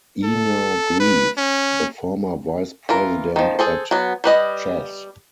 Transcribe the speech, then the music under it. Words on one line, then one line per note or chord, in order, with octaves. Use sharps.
Einar Greve, the former vice president at Chas.
A4
B4
C#4
E3 F4 A#4
D#3 F3
G#4 A4 C5
F#3 B3
G3 B4 D#5